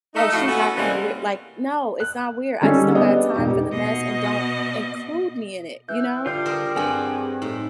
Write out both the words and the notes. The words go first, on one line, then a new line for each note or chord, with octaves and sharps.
"Oh, she's acting weird" like, "No, it's not weird, I just don't got time for the mess, and don't include me in it," you know?
A3 D#4
F2 A2 A3 F#4 F5
B3 C#4 F#4 A4
C3 E3 G3 G#3 A#3 C#4
F#6
D3 G3 C#4 D#4 G#4 A4
B3 D4 G4 D#5
E1 D#4 G4
B2 D#5
E3 G6
D3 G3 F4 G6 C7
G#4 A#4 C5
G2 C4 G#4 F#5 G#5 A#5
A2 D#4